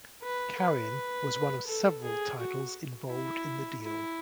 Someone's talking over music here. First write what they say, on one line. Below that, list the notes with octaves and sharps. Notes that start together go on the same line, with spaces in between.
"Karin" was one of several titles involved in the deal.
B4
B4
A4
G#4
F#4
E4
E4